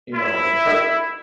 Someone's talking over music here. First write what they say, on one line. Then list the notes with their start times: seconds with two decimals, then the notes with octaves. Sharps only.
You know? And trust me.
0.14 E4